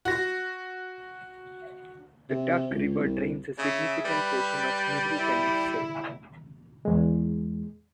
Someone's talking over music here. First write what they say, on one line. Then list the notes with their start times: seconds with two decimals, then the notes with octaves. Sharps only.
The Duck River drains a significant portion of Middle Tennessee.
0.05 F#4 A#6
2.30 C3
2.50 C3
2.71 C#2
2.99 C2
3.58 C#3 E5
4.05 G3 B4
5.17 E4
6.85 E2 G#3